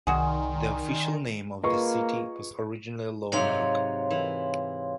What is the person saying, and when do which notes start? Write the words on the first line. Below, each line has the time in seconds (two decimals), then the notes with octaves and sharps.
The official name of the city was originally Lone Oak.
0.07 C2 D#3 F#4 G#4 D5 G#5 C6
1.63 A#3 F4 G#4 B4 D#5 C#6
3.32 G#2 C3 F#3 C#5 F5 C6
4.10 E3